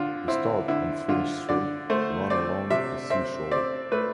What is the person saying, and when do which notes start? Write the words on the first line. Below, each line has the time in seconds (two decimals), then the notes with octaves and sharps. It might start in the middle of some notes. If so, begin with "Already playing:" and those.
The start and finish straight ran along the sea shore.
Already playing: D3 F4
0.28 C4 E4
0.68 D3 E4
1.09 D3 F4
1.49 D3 D5
1.90 A3 C5
2.30 C4 D5
2.70 C3 E5
3.10 C4 E5
3.51 C4 D5
3.91 A3 B4